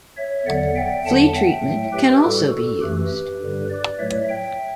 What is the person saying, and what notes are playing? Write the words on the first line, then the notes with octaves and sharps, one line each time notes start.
Flea treatment can also be used.
C#5 E5
E2 D3 F#3 D5 F#5
E5 G5
E2 D3 F#3 F#5 A5
E5 G5
A2 F#3 A3
G4 B4
A2 G3 F#4 A4
F#4 A4
F#2 E3 A3 G4 B4
G2 D3 G3
B4 D5
A2 F#3 A3 C#5 E5
E5 G5